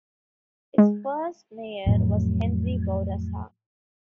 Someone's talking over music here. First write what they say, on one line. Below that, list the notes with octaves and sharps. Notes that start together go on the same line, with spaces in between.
Its first mayor was Henri Bourassa.
G#3
F2 A2 F#3